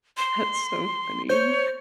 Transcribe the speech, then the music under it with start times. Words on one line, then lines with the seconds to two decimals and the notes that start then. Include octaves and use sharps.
That's so funny.
0.17 C6
1.29 C5 C#5 G6